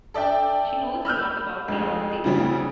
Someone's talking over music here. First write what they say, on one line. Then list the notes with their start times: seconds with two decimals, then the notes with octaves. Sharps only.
She knows a lot about a lot of things.
0.14 A4 D5 E5 G5
1.05 B5 E6 F6 G6
1.68 F1 F2 G#3
2.24 D2 C#3 E3 F#3 G3 C4